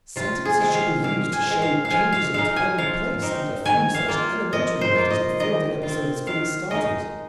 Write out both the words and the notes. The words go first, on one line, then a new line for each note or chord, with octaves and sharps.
Sentences should be used to show changes of time and place and a few such elementary matters before the episode is fully started.
C3 F4
G#4
D#3 G#3 C4
F5
A#2 F5
G#5
G#3 C4
F5
F5
F3 G#5
F5
G#3 D#4 F5
G#5
F3 F5
C4 D#4
D#3 G#5
F5
A#3 F4
F3 D#5
C5
A#3 F4
D#5
D#3 D#5
F4
C4
D#3 F5
G#3 D#4 D#5